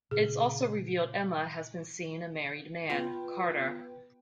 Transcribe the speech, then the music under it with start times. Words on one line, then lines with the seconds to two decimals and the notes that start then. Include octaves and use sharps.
It's also revealed Emma has been seeing a married man, Carter.
0.11 A#2 C#3 G#4
2.90 B3 F4 B4 G5